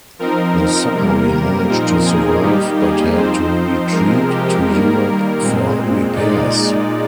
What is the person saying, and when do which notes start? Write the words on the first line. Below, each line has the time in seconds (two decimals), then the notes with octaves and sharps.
The submarine managed to survive but had to retreat to Europe for repairs.
0.19 F3 C4 D#4 A#4
0.94 C3 G3 A#3
1.68 A#2 F3 C4 D#4 A#4
2.06 G#4
2.43 D#3 G3 A#3 D#4 G4
2.80 G#4
3.17 F3 C4 D#4 C5
3.92 C3 F3 G#3 C4 A#4
4.29 G4
4.66 D#3 G3 A#3 A#4
5.41 A#2 G#3 C4
6.15 A#2 G#3 D#4 D5